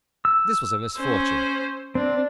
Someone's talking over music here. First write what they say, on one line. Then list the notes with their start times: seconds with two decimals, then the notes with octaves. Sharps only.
This was a misfortune.
0.25 E6
0.98 C#4 C5
1.95 C4 D4